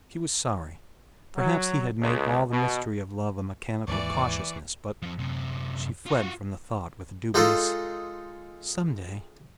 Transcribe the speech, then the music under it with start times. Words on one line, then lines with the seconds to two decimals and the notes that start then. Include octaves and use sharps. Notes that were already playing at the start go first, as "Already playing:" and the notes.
She was sorry----Perhaps he had made all the mystery of love a mechanical cautiousness but----She fled from the thought with a dubious, "Some day."
1.37 F#3
2.00 C#2
2.51 B2
3.88 D#2 G#2 E3 A#3 D5 C#6
5.02 F2 F3
5.19 F#2 C3
6.06 F4 F#4
7.34 G#3 D#4 F4 G#4 A4 D#5